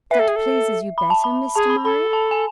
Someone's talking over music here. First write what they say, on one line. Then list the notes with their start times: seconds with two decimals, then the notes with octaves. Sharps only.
"That pleases you better, Mr. Murray?"
0.11 B4 E5
0.19 A4
0.28 G#4
0.36 A4
0.98 B5
1.10 A5
1.24 B5
1.55 G#4 A5
1.70 B5
1.84 A4 B5
2.13 A5
2.31 G#5